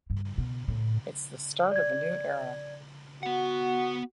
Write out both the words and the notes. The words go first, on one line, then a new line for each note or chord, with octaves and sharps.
It's the start of a new era.
G2
B2
A2
D5 G#6
B3 F#4 F#5